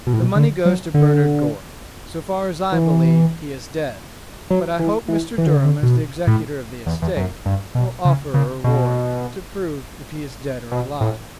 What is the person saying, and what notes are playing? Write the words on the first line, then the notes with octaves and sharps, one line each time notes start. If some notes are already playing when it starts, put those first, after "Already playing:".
The money goes to Bernard Gore. So far as I believe he is dead, but I hope Mr. Durham, as the executor of the estate, will offer a reward to prove if he is dead or alive.
B2
A2
B2
D3
F#3
D3
E3
F#3
E3
E3
E3
D3
C#3
D3
B2
A2
E2
E2
F#2
G2
B2
C#3
C#3
B2
B2
A2